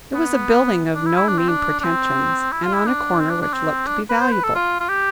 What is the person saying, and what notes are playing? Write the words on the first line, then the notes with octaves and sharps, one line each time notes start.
It was a building of no mean pretentions and on a corner which looked to be valuable.
B3
D4
E4
E4
D4
C4
D4
D4
C4
E4
F4
E4
D4
C4
D4
D4
C4
D4
B4
C5
B4
A4
F4
F4
G4